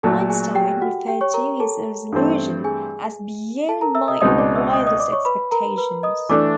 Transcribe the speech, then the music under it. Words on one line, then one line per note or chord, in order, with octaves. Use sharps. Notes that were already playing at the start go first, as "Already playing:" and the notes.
Einstein referred to his resolution as beyond my wildest expectations.
A#2 F#3 A3 A4 A5
G#4 G#5
G4 G5
F#4 F#5
G4 G5
C#5 C#6
A#4 A#5
A4 A5
G2 E3 A3 C4
G#4 G#5
A4 A5
A#4 A#5
E5 E6
D#5 D#6
C#2 B2 G#3 C4 D#4 D#5 D#6
D5 D6
E5 E6
D#5 D#6
D#5 D#6
D5 D6
C#5 C#6
B4 B5
A#4 A#5
B4 B5
D#5 D#6
E3 A3 D4 D5 D6